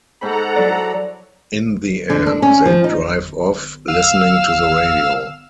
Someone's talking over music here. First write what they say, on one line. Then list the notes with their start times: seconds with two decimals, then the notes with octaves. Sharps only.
In the end, they drive off, listening to the radio.
0.21 G#2 A4 C5 F#5 A#5 B5
0.55 F#3 E4 D5
2.10 D3
2.26 D4
2.42 C#4
2.66 F3
2.84 D#4
3.88 F5 E6